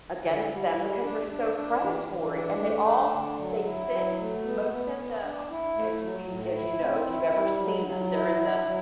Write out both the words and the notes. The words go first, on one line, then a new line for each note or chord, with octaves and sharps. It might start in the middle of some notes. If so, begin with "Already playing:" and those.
against them because they're so predatory. And they all they sit most of the, uh, as we as you know, if you've ever seen them, they're in the
D3
G3
G3
D4
D4
D4
E3
E3
D4
A3
D4
D3
F#3
E4
F#3
A3
B3
B3
B3
D4
E4
A3
F#3
A2
E4
C4
E4
G3
F#3
F#3
E4
F#3
F#3